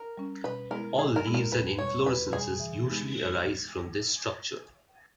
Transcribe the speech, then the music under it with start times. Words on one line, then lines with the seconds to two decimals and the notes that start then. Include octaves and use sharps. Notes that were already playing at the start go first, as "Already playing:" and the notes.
All leaves and inflorescences usually arise from this structure.
Already playing: A#4
0.18 G3 C#4
0.44 B2 B4
0.71 G#3 B3 E4 G#4 A#4
0.98 B2 G#4
1.16 A#4
1.25 G#3 B3 E4 G#4
1.34 A#4
1.52 E2 B4
1.78 B2 G3 C#5
2.06 E2 B4
2.33 B2 G3 G#4
2.60 E3
2.87 G#3 B3 D#4 G4